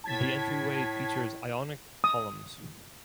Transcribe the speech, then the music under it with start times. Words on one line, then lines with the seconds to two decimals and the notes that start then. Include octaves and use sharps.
The entryway features ionic columns.
0.04 A2 A5 G#6 B6
2.04 D#6